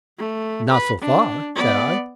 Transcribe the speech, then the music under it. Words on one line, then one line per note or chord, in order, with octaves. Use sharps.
"Not so far," said I.
A3
B4
D4
B3 D5